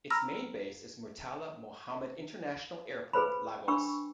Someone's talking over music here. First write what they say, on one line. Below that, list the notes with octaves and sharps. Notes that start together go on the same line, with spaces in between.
Its main base is Murtala Mohammed International Airport, Lagos.
A#5 B5 E6 F6 A#6
G#4 B4 C5 B5
D4 G5 B5 C#6 E6